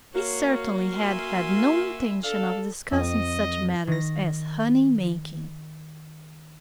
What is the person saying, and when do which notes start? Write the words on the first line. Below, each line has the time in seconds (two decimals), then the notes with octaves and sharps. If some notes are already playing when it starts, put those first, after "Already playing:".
He certainly had had no intention of discussing such matters as honey making.
0.15 A#3 F#4 C#5
0.97 E5 G#5 C6
2.24 D4 A4 F5
2.92 F2 D#5
3.87 D#3 A#6